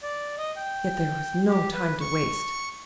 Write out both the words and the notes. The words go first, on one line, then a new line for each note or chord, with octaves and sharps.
Yet there was no time to waste.
D5
D#5
G5
G4
B4
C#6